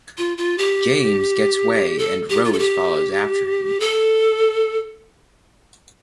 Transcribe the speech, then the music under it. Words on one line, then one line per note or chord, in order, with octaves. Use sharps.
James gets way and Rose follows after him.
F4
F4
G4
A4
G4
F4
A4
G4
A4